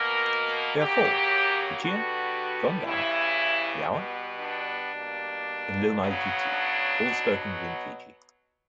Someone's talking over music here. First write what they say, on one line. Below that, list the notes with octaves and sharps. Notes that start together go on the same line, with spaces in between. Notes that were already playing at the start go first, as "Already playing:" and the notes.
They are four: Fijian, Gone Dau, Lauan and Lomaiviti all spoken within Fiji.
Already playing: B2 A#3 A#4
C#3 F#3 A#3 G4
D3 G3 B3 F#4
C#3 E3 G3 E4
B2 G3 B3
D4
B2 G3 A#3
C#3 F#3 B3
D4
B2 F#3 B3